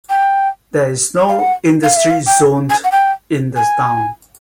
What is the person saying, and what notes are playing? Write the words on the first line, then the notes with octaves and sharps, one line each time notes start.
There is no industry zoned in the town.
G5
F5
F#5
F5
E5
F5
G5
G#5
F#5
G5
G#5